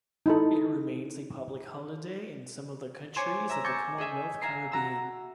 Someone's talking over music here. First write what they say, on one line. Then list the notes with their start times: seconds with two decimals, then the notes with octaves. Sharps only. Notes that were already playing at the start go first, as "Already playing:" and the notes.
It remains a public holiday in some of the countries of the Commonwealth Caribbean.
0.26 D#4 E4 A4
3.16 C5 C#5 G#5 D6
3.49 E5 A#5 E6
3.64 G#5 C#6 D6 G6 A6 A#6
3.98 G#4 D#5 E5 G#5
4.41 E5 F5 G#5 A#5 C7
4.72 F#4 A#5 E6